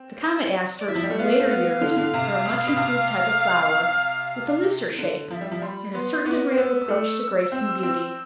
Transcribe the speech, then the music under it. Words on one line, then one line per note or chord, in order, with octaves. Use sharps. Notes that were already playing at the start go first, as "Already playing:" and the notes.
The Comet Asters of later years are a much-improved type of flower, with a looser shape and a certain degree of approach to grace and beauty.
Already playing: C4
A5
D5
E3 E5
F3
G3
A3
B3 F5
A3
B3
D3
E3
D3
C3
B2
B2
C3
E3
D3
F3 E5 F5
G3
F3
G3 B5 C6
B3 C6
B3 D6
C4
B3 E6
A3
C4
C4